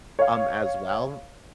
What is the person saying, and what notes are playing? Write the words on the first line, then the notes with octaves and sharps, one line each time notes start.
um, as well.
C#5 F5